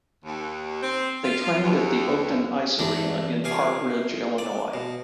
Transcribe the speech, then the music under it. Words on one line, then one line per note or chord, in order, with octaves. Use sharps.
They trained at the Oakton Ice Arena in Park Ridge, Illinois.
D#2
C4
F4
D#2
E2 G2 E3 D4
C2 F4 G#5 D6
D5
B2